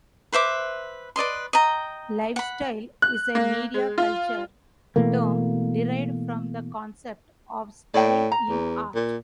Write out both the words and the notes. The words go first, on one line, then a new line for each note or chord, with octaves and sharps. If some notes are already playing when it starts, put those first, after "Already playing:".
"Lifestyle" is a media culture term derived from the concept of style in art.
B4 C5 E5 D6
B4 D5 D#5 C6
D#5 G5 A#5
F#5 B5
F#6
A#3
G#3
F4
B2 E3 A3 A#3
A2 D5 G5
A#5
E2
A#2